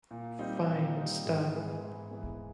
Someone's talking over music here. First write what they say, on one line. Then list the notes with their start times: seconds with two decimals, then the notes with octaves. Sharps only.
Fine stuff.
0.11 A#2
0.39 G3 C4 D#4
0.68 A#2
0.97 G3 C4 D#4
1.26 G#2
1.53 E3 G#3 B3
1.82 G#2
2.11 E3 G#3 B3